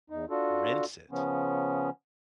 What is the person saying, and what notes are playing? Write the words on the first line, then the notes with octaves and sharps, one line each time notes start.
Rinse it?
E2 D#4
D4 F4 F#4 A4
C#3 F3 B3 C#4